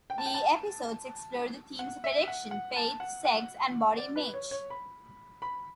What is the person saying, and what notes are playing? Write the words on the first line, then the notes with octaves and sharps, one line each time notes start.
The episodes explore the themes of addiction, faith, sex and body image.
G5
A5
G5
A5
F#5
E5
F#5
F#5
A5
F#5
F#5
D5
B4
C#5
C#5
B5
B5